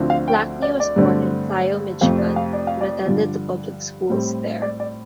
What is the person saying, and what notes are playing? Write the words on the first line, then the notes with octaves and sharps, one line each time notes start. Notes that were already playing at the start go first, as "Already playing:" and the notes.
Blackney was born in Clio, Michigan, and attended the public schools there.
Already playing: D2 D3 F3 C4
F5
G5
D5
D5
G2 D3 A3 C4
F2 C3 A3 C4 F5
D5
F5
D5
F5
D5
G2 D3 F3
A2 G3 C4
D5
D5